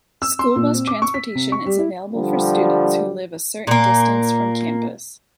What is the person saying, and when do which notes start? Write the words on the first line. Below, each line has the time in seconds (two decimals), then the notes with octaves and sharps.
School bus transportation is available for students who live a certain distance from campus.
0.22 E6
0.39 C6
0.56 A#2
0.74 C4
0.87 D6
1.02 C#6
1.14 B6
1.35 C3
1.52 C#6
1.66 G3
1.79 E4
2.15 D3 F3 G3
3.67 A#2 A#3